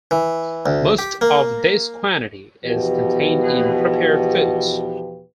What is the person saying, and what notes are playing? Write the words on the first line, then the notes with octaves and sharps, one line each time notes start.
Most of this quantity is contained in prepared foods.
E3
D2
G4
A#3
E2 B2 F3 G4 B4